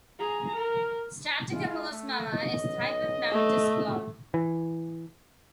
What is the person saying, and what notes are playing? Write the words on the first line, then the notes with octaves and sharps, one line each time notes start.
Stratocumulus Mamma is a type of mammatus cloud.
G#4 A#5
A#4
G#3 E4 F4
A3
B1 D#5
A3
E3